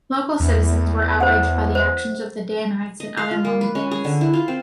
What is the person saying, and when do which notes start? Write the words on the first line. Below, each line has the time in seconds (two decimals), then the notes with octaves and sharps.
Local citizens were outraged by the actions of the Danites and other Mormon bands.
0.40 E2
1.21 C5 F#5
1.75 C5
3.00 D#5
3.17 F5
3.31 F4
3.45 A#3
3.61 B4
3.75 C#4
3.91 G#4
4.05 D3
4.21 E4
4.33 F4
4.48 C4